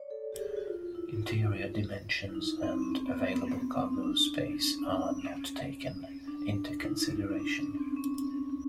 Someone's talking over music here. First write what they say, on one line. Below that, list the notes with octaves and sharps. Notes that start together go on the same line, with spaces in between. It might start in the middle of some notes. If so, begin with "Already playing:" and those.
Interior dimensions and available cargo space are not taken into consideration.
Already playing: C#5 D5
A4
G4
G#4
F#4
F4
E4
E4
D#4
C4
C#4
C4
B3
C4
B3
B3
C4
D#4
D4
C#4
C#4
C4
C#4
D4
E4
D#4
C#4
D4
C#4
C4
C#4